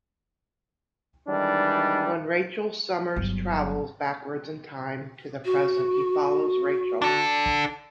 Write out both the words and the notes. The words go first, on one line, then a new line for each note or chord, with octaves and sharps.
When Rachel Summers travels backwards in time to the present, he follows Rachel.
D#3 E3 G3 G#3 D4 D#4
G1 F#3
F#4
D4 A4